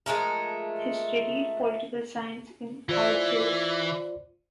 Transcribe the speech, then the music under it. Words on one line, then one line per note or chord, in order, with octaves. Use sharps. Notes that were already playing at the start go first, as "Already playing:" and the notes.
He studied political science in Algiers.
F3 G#3 A3 A#4
E3 F4 C5 D5